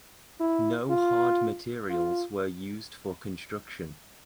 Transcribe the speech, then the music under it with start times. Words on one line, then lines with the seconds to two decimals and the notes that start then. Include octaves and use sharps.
No hard materials were used for construction.
0.40 E4
0.90 F4
1.90 F4